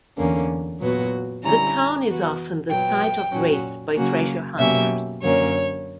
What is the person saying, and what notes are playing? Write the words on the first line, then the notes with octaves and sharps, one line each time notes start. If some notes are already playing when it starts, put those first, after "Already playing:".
The town is often the site of raids by treasure hunters.
E2 D3 A#3 C#4
A#2 F#3 B3 F#4
D3 G3 C#4 E4 A#5
E3 B3 F#4
A#2 F#3 B3 G5
A#2 F#3 C#4 F#4
C#3 F#3 A#3 C#4 F#4
B2 F#3 A#3 C#4 G4 E5
F#2 D3 F#3 A#3 C#4 C#5